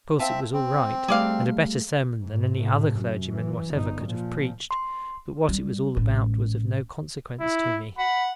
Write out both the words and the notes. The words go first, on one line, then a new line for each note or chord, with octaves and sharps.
Of course it was all right, and a better sermon than any other clergyman whatever could have preached, but what it was all about was of no consequence to me.
C4 E5 F5 A5
C4
G3 A3 G#4 D5 F5
G#2
A2 C3
F#2
E3
G1 D#4
A#2 F3
C6
G3
A1 G#3
E4
F#5 B5